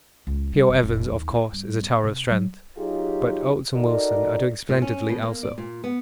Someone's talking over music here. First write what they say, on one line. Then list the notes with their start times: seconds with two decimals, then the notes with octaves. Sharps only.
P.O. Evans, of course, is a tower of strength, but Oates and Wilson are doing splendidly also.
0.27 C#2
0.53 G3
0.68 F#1
0.83 F1
1.11 D#2
1.29 E4
1.52 G2
1.80 B3
2.04 C3
2.30 F#3
2.77 F#3 D#4 F4 G4 G#4
3.75 D#4 F#4 A4 A#4 D5
4.69 A#2
4.82 C#4
5.09 B2
5.22 A#3
5.43 D5
5.58 A#2
5.84 B3